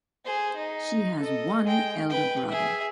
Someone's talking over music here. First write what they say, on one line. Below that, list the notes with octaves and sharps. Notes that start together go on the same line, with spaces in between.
She has one elder brother.
G#4 C5
D#4
A4 D#5
G#3 G5
B4 G5
G#4 E5